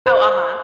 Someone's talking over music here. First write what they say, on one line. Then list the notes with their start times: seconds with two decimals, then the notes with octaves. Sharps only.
Oh, uh-huh.
0.06 C5